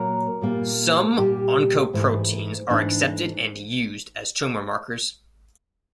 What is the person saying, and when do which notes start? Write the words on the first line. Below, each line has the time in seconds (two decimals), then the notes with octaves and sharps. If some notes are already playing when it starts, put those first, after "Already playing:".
Some oncoproteins are accepted and used as tumor markers.
Already playing: A#2 F#3 A#3 A#4
0.41 A#2 G3 A#3
1.17 A#2 G3 A#3 G4
1.93 G#2 E3 A3
2.70 G#2 E3 A3 D4